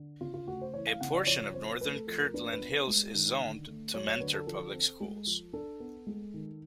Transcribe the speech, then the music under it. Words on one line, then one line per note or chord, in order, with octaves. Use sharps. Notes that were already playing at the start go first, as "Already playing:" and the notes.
A portion of northern Kirtland Hills is zoned to Mentor Public Schools.
Already playing: D3
C#3 F4
F4
A3 F#4
C5
E3 C#5
F5
C#3 F#5
D5
F3 C#5
C4 C5
A3 B4
A4
F3 A4
A#4
D4 B4
B4
B3
B4
G#3
D#3
D3
A3
F#3 C#5
C#5
D3 B4
A4
F3 A4
C4
G#3
F3
D4 A4
B3
G#3
D#3